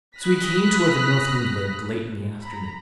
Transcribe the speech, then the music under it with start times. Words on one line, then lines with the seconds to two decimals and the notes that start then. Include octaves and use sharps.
So he came to where the North Wind lived late in the afternoon.
0.18 B5 D#6 F6 F#6 A#6 B6
2.43 A#5 B5